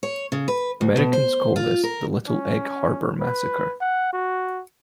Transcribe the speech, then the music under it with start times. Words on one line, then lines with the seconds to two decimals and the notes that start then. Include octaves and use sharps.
Americans call this the Little Egg Harbor massacre.
0.03 C#5
0.32 C#3
0.48 B4
0.81 D2
0.97 B2
1.13 C5
1.56 F4
1.83 A#4
2.27 C#4
3.20 B4
3.81 F#5
4.13 F#4